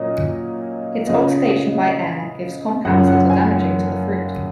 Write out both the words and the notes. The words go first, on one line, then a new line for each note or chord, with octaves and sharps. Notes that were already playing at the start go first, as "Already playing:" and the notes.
Its oxidation by air gives compounds that are damaging to the fruit.
Already playing: A#2 F#3 A#3 C#4 D#5
C#3 F3 B3 D#5
F#2 C#3 F3 F#5
F#5
G#5